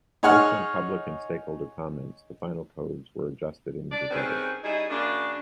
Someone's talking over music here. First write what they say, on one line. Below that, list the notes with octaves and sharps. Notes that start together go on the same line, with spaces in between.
Based on public and stakeholder comments, the final codes were adjusted and gazetted.
D#4 G#4 C#5 F#5 C#6 F6
D4 D5
G2 D#3 C4 C#4 G#4 B4
G3 C#4 D#4 E4 G#4
F#2 C#3 A#3 D4